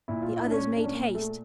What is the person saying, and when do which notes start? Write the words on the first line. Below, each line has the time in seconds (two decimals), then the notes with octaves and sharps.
The others made haste.
0.08 A#2 E4
0.22 F4
0.37 E4
0.46 D4
0.51 C#4
0.77 D4
0.84 C#4
0.93 A#3
1.15 A3